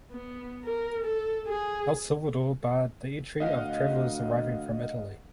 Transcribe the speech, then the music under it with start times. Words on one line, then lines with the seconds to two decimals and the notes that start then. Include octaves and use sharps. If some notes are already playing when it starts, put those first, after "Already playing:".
El Salvador barred the entry of travellers arriving from Italy.
0.11 B3
0.64 A#4
1.04 A4
1.47 G#4
3.40 D2 D#5 F5 F#5